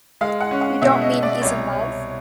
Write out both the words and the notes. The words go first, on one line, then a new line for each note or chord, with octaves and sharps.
You don't mean he's in love?
G#3 F5
F#5
C#4
F#5
B2 E5
D#5
B2
D5
C2 C#5
C2